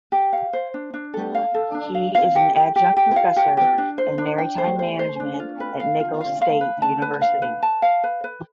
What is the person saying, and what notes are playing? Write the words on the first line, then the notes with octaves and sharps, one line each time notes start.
He is an adjunct professor in maritime management at Nicholls State University.
G4
F5
C5
D4
D4
A4
F5
A4
D4
F5
F5
G4
G4
G4
G4
F5
G4
G4
D4
C5
D4
G5
C5
C5
C5
D4
F4
B4
F5
F4
F5
F5
B4
A5
B4
F5
B4
A5
F5
B4
B4